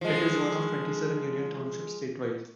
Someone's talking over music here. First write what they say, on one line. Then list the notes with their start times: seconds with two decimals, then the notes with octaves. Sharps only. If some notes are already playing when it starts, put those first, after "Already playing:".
It is one of twenty-seven Union Townships statewide.
0.01 F3 G#3